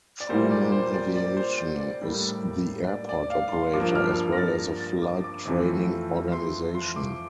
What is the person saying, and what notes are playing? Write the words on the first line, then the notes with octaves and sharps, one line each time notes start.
Truman Aviation is the airport operator, as well as a flight training organisation.
D5
A#2 G3 A#3 C5
D5
C5
D5
D5
C5
D5
D5
A2 G3 A#3
D5
D5
F5
C6
G2 F3 A#3 D6
F6
F6
A#6
A6
A6
D6
D6
F2 E3 A3 C4
C6
C6
D6